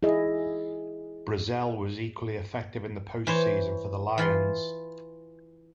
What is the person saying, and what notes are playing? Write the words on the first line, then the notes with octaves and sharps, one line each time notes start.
Brazzell was equally effective in the post-season for the Lions.
E4 G#4 D#5
E3 C5 C#5
E3 F4 B5 C6